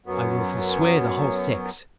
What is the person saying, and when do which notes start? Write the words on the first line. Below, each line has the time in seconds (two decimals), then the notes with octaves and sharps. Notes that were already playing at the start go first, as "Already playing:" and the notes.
I will forswear the whole sex.
0.06 F#2 F#3 B3